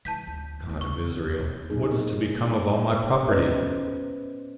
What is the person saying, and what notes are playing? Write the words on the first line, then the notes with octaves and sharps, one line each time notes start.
"God of Israel! what is to become of all my property?"
G#2 E3 A5 G6 B6
D2
A2 F3
C#3 C#6
B2
A#2 F#3 A#3 D#4 G#4
B3 C#4 B4 C5 D5 D#5